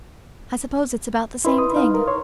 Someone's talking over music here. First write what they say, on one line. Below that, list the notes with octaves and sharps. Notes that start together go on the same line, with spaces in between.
I suppose it's about the same thing.
E4 B4 D#5 B5 C6
D#6
D#4 F5
A#4
C#5 C6